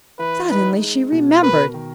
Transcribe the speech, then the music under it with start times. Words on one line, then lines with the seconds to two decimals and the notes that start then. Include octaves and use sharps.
Suddenly she remembered.
0.19 E3 B4
0.50 D#4 B4
0.81 G#3
1.12 B2
1.42 A#4 B4
1.74 D#3